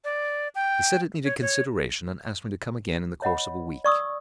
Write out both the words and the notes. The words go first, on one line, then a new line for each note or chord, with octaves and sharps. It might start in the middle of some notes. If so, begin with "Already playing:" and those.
He said it needed consideration, and asked me to come again in the course of a week.
D5
G5
C#5
C#5
C#5 D#5 F#5 B5
D5 C#6 D#6 E6